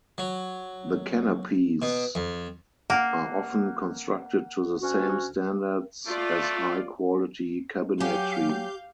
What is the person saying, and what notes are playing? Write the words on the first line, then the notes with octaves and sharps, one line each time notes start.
The canopies are often constructed to the same standards as high quality cabinetry.
F#3
B2
F2
A#3 F#5
D2 C#4 F#4
A3 F4 D5
F#3 G4 F5 F#5 G#5 G6